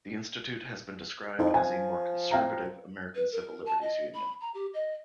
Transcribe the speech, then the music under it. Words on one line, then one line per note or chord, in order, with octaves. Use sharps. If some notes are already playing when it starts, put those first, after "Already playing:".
The institute has been described as a more conservative American Civil Liberties Union.
F2 D#4
F3 G#5
F5 G5 A#5
B4
A#4
A5
D#5
B5
A#5
G4
D#5